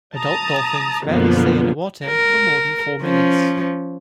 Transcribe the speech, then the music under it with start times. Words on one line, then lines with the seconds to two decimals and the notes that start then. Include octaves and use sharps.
Adult dolphins rarely stay under water for more than four minutes.
0.15 A5 A#5 D#6
1.05 F#2 B2 D3 F3 A#3 B3
2.05 A#4
3.02 F3 C#4